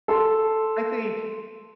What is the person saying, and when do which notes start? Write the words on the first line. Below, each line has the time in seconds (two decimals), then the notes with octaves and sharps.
I think
0.08 A4 C6